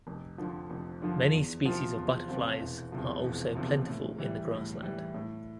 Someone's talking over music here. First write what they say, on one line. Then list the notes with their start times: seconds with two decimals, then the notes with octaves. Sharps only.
Many species of butterflies are also plentiful in the grassland.
0.07 F1
0.38 F2 D3 F3
0.70 F1
1.02 F2 D3 F3
1.34 E2
1.65 C3 F3 C4 F4
1.97 E2
2.28 C3 F3 C4 F4
2.60 E1
2.92 E2 C3 F3
3.24 E1
3.55 E2 C3 F3
3.87 A2
4.18 E3 G3
4.51 A2
4.83 E3 G3
5.14 A2